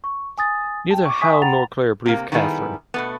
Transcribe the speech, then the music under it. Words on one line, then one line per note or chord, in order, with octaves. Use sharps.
Neither Hal nor Claire believe Catherine.
C#6
G#5 D#6 A6
G5 A5
C#6 D6
E5 G#5 C#6 D#6 B6
F#5 G5 A#5 B5 A6 F7
C3 A#3
D#3 G3 B3 E4 G#4 A4
B2 A3 B3